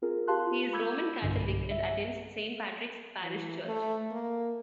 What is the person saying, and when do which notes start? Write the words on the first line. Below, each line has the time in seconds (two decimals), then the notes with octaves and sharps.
He is Roman Catholic and attends Saint Patrick's Parish Church.
0.02 C4 F4 G#4 A#4
0.27 G4 A#4 F5 A5 C6 F#6
0.47 F4
0.73 B5 D6 E6 G6 G#6
1.22 B1 G2 D3
1.71 E5
3.22 E3
3.66 A3
4.11 A#3